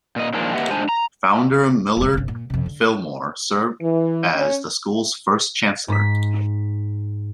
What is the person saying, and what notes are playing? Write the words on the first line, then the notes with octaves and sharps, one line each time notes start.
Founder Millard Fillmore served as the school's first chancellor.
A#2 D#5
A#2 D#3 F3 G#3 A#3 D4
A#3 G4 B4 D#5 E5 F#5
G#2 G#3 D4 C5 G#5 A5
A#5
E1 A1
G1 C#3
A#2
F2 C3
D3
E3
C#4
G#2 B6